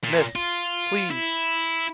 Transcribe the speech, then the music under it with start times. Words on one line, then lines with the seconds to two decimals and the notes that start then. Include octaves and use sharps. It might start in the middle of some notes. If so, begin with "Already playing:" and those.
Mrs!... Please!...
0.04 A#2
0.35 F4
1.11 E4